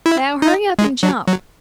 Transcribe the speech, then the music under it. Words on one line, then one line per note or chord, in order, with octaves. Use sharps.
Now, hurry up and jump.
E4
D#4
G#3
F#3
F#3